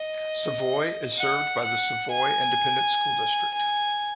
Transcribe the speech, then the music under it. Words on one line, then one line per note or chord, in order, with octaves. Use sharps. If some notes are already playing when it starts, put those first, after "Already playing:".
Savoy is served by the Savoy Independent School District.
Already playing: D#5
F#5
F#5
G#5
G#5